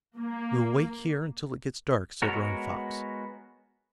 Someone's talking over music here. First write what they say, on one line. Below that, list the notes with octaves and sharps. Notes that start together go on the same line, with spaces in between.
"We will wait here until it gets dark," said Running Fox.
A#3
G#3 B3 F#4 A#4 C#5